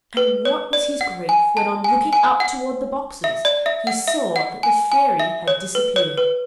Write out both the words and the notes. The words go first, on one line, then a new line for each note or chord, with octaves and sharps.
And what was his grief when on looking up toward the boxes, he saw that the Fairy had disappeared!
B4
C#5
D5
F#5
G#5
A5
G#5
G#5
F#5
E5
D5
E5
F#5
E5
F#5
G#5
G#5
E5
C#5
B4
C#5
B4